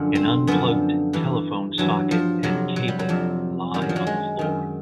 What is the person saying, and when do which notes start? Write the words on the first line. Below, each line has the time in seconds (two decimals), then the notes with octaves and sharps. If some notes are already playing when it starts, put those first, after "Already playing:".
An unplugged telephone socket and cable lie on the floor.
Already playing: F#2 D3 F3
0.15 C4
0.47 F#2 D3 F3 B3
1.13 G2 E3
1.78 G2 E3 F#3
2.11 F3
2.43 F2 C3 F3 F#3
2.76 F#3
2.88 G3
2.99 F#3
3.09 F2 C3 F3
3.74 F#2 D#3 G3
3.82 F#3
3.89 F3
3.96 F#3
4.07 G#3
4.39 F#2 D#3